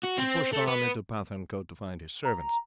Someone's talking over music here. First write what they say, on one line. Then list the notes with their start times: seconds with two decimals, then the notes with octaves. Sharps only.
He pushed on into Pathankote to find his servants.
0.03 F#4
0.18 C4
0.53 A3
0.67 B3
2.25 A#5